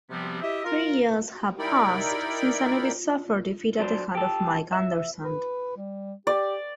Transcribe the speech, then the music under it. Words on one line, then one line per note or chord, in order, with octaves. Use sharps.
Three years have passed since Anubis suffered defeat at the hand of Mike Anderson.
C3 F3 G3 B3 C4
E4 G4 D#5 E5
F4 A#4
D#4 E4 A#4 D5 G5 B5
F#3 D4 C5
G4 A4
E5
B4
G3
G4 D5